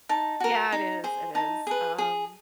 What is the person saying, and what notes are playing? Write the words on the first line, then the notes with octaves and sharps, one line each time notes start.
Yeah, it is, it is, um,
D#4 A5
F#4 A#4
D#4
G#4 C5
D#4 A5
G#4 B4
G#4